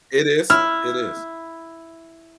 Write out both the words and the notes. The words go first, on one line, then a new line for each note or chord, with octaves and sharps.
It is, it is.
E4 F6